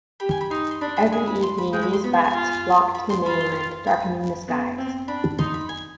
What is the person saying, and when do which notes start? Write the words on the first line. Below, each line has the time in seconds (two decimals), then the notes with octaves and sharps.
Every evening, these bats flock to the mainland, darkening the skies.
0.20 G4 B5
0.31 G#5
0.41 B5
0.51 D#4 C6
0.71 C6
0.81 D4 B5
0.97 B5
1.11 G#3 G#5
1.27 B5
1.43 C6
1.58 B5
1.73 G#3 G5
1.83 B5
1.93 C6
2.04 B3 B5
2.13 G#5
2.24 G#5
2.34 F4
2.95 B5
3.10 C6
3.25 F4 B5
3.41 C6
3.87 B5
4.48 B3
4.78 C4
5.08 D4 B5
5.39 D#4 C6
5.54 B5
5.69 G#5